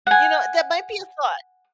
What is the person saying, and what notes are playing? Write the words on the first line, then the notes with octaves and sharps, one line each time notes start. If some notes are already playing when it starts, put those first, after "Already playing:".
You know, that might be a thought.
F#5 G#5